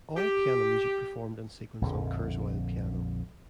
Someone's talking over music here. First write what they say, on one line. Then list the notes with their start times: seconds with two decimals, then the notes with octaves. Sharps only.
All piano music performed and sequenced on Kurzweil piano.
0.17 G4
1.82 A#1 F2 D3